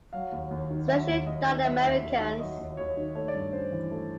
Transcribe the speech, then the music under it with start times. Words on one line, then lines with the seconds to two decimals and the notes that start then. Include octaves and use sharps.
Especially not Americans.
0.13 F#3 F5
0.32 D#2
0.51 D#2
0.70 D#3
0.88 F#3 E5
1.07 D#2
1.26 D#2 D#5
1.46 D#3
1.64 F#3 E5
1.84 D#2
1.89 E5
2.02 D#2
2.15 E5
2.20 D#3
2.39 F#3 D#5
2.59 D#2
2.77 D#2 C#5
2.97 D#3
3.15 A3 C#5
3.28 D5
3.34 G2
3.40 C#5
3.53 C#4 C5
3.72 E3
3.91 A3